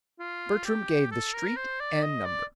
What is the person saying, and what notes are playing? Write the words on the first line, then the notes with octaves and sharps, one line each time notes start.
Bertram gave the street and number.
F4
G4
A4
A#4
C5
D5
D#5
D5